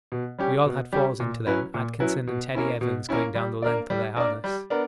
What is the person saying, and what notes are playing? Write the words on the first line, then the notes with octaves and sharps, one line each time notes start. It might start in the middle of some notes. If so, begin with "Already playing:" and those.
We all had falls into them, Atkinson and Teddy Evans going down the length of their harness.
B2
G3 C#4 G4
B2
G3 C#4 G4
A#2
F#3 C#4 E4 B4
A#2
F#3 C#4 E4 B4
B2
A#3 C#4 E4
B2
A#3 C#4 E4
G3
A#3 D4 A#4 D5
G3
A#3 D4 A#4 D5
G3
B3 D4 A#4